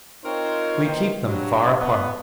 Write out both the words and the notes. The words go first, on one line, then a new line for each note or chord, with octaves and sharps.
We keep them far apart.
C4 D#4 F4 A#4 C5 C#5
D#3 E3 A#3 D#4 F4 C5
G2 F#3
B3